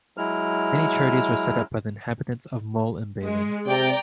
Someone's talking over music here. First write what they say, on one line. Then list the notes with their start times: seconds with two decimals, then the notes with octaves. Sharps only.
Many charities were set up by inhabitants of Mol and Balen.
0.17 F#3 G#3 E4 F6
3.23 G#3
3.67 C3 D5 G5 A#5